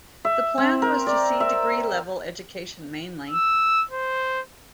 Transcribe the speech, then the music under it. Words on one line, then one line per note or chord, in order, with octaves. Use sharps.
The plan was to see degree level education mainly.
E5
C4
A#4
D5
E5
E6
C5